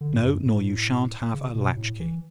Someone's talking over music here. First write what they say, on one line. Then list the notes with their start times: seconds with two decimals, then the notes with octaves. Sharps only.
No: nor you shan't have a latchkey.
0.01 D3
0.13 G#2
0.24 F#2
0.46 A2
1.34 C#3
1.55 B2
1.76 A2
1.99 E3